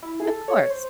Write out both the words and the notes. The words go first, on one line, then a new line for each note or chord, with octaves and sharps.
Of course.
E4
G#4
A4
C#5
C5